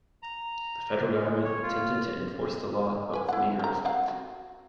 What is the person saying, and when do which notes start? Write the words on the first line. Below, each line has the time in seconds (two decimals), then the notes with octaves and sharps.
The federal government attempted to enforce the law, but with meager effect.
0.23 A#5
1.13 G#3
1.44 C#5
1.63 F4
3.13 B4 G#5
3.29 E4 F#5
3.59 D#3 A#5
3.85 C4 F5 F#5
4.08 F#4